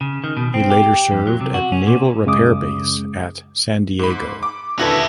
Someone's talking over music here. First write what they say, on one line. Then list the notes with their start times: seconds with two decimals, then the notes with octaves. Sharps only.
He later served at naval repair base at San Diego.
0.01 C#3
0.24 D#3
0.37 B2
0.54 C4
0.70 G4
1.11 F2
1.27 F#3
1.41 C3
1.54 F#4
1.72 C#4
1.87 A#2
2.26 F#2 C#3 G#3 D6 D#6
3.99 G#2 B5
4.43 D6
4.79 D#2 A#2 D3 E4 F#4 A4 B4 E5